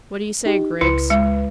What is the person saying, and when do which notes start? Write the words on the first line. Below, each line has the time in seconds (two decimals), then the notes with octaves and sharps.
What do you say, Griggs?
0.46 D#4 G4
0.81 C#2 E4 B4
1.10 G#3